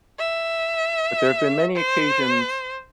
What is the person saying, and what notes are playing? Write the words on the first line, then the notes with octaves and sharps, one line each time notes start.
but there have been many occasions
E5
C5